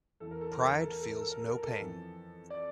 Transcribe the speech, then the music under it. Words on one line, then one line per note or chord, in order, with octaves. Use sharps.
Pride feels no pain.
E2 E3 A4
A#4
A4
A#4
A4
A#4
A4
A#4
A4
A#4
A4
A#4
A4
A#4
A4
F2 E3
D5